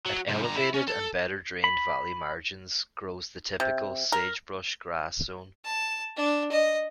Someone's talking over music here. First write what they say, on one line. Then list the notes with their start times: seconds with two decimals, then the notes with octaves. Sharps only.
At elevated and better-drained valley margins grows the typical sagebrush-grass zone.
0.06 F#3
0.28 G#2 C3
0.42 D3 A#5
0.57 E4
0.74 C#4
0.88 A4
1.64 B5
3.60 C3
4.12 A#4
5.65 A5
6.17 D4
6.52 D#5